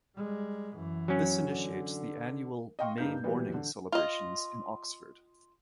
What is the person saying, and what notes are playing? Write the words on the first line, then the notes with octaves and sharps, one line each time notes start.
This initiates the annual May Morning celebrations in Oxford.
G3 G#3
F#2 E3
F#3 C#4
D3
D#5 F5 G5 C6 C#6
G2 A#3 D#4 F5 G6
A#2 E3 F#3 G3 B3
D3
F4 D#5